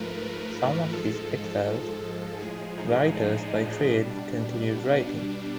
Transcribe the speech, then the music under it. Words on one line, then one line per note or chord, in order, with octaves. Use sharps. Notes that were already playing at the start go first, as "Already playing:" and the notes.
Some of these exiles, writers by trade, continued writing.
Already playing: G#2 F3 A3 A#4 B4
A#4
G#2 F3 G#3 A4
A2 F3 G#3 G#4
D#4
D4
D4
B2 G3